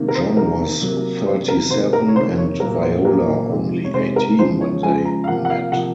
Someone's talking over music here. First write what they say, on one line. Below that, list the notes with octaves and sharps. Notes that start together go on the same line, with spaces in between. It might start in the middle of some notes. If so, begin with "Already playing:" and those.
John was thirty-seven and Viola only eighteen when they met.
Already playing: C3 D#3 A#3
A#4
C5
C3 D#3 A#3 A#4
C3 F#3 A#3
C3 F#3 A#3 C5
A#4
C3 D#3 A#3 C5
A#4
C#5
C3 D#3 A#3 C5
C#5
A#2 F#3 A#3 A#4
C5
A#2 F#3 A#3 A#4
C3 D#3 G#3
C#5
C3 D#3 G#3 C5
A#4
C#3 F3 G#3 C5
C#5
C#3 F3 G#3 G#5
A#5
F5
C3 F3 A#3 F#5
F#5
F5
C3 F3 A#3 F#5